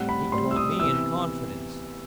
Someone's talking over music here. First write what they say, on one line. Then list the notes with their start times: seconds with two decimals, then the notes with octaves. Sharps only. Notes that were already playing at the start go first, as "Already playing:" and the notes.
"He told me in confidence."
Already playing: A2 G3 C4 F#5
0.09 B5
0.32 A2 G3 C4 C6
0.51 E6
0.56 D#6
0.80 C3 E3 B3 E4 E6